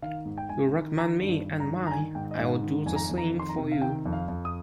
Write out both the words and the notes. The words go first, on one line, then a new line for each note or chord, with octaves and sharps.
You recommend me and mine, I'll do the same for you.
D#3 F5
G#2
G5
G#2 G#5
D#3
D#3 A#5
G2
G2
A#5
D#3
A#5
D#3 G#5
G#2 G5
D#5
G#2 F5
D#3
F2 G#5
A#5
G#5
F2
A#5
D#3
C6
A#5
C3
F5
D#3 G5
F2
F5
F2
D#6